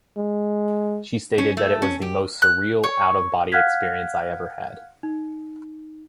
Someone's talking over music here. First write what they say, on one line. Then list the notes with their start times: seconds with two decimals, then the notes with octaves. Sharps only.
She stated that it was the most surreal, out-of-body experience I ever had.
0.17 G#3
1.38 C#4
1.57 A3
1.82 C#4
2.02 G4
2.42 F#6
2.84 C#5
3.52 F5 F#5 F6 F#6 G#6 B6
5.03 D#4